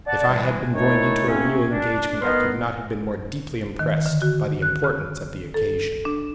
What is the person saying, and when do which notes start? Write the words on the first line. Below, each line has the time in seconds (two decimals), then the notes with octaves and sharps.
If I had been going into a real engagement I could not have been more deeply impressed by the importance of the occasion.
0.07 D5 F#5 A5
0.28 E3 G3 G#3
0.75 D#3 A3 D4 E4 C#5
1.27 C3 A#3 C4 C#4
1.70 D4
2.21 D#3 B3 B4 D#5 C6 F6
3.79 D#3
4.06 D3
4.22 F#4
4.62 F#6
4.84 F6
5.54 A4
6.05 D4